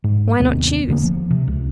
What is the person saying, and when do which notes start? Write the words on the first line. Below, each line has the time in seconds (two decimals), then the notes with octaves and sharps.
Why not choose?
0.04 G#2
0.40 D#2 C3 A#3 B3
0.88 E2 D3 A#3
1.04 F3
1.31 C3
1.48 C#2